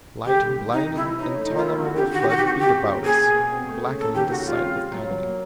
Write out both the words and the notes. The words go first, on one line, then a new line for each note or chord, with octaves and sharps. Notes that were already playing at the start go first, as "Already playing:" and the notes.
Light in blinding, intolerable flood beat about us, blackening the sight with agony.
D2 G4
G3
G3
C2 D#4
C3
E4
E3
C#4 D#4
A3
D#4
F3
F4
A#3 E4
D3 F#4
F2 G4
D#3 F#4
G4
D#3 F#4
G4
C4 F#4
F2 G4
C#3
A#3
A#3 G#4
B2
B2
C4
A3
C#3
A#3 A4
D#2 G4
C#3 F#4
G3 F4
C4
G3
F#3
F#3
A#3